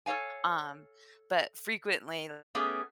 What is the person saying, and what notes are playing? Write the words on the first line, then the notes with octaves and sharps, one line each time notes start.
Um, but frequently
A4 A#4 C#5 F5 G#5
A3 B3 C#4 G4 G#4